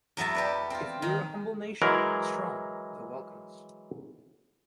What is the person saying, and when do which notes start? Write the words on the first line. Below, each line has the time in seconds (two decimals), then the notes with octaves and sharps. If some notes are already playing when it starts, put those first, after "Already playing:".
If we're a humble nation, but strong, they'll welcome us.
0.17 E2 F#3 B3 E5 A5
0.35 G4 B4 D5
0.70 C4 F4
1.02 D#3
1.82 E3 F#3 G#3 A#4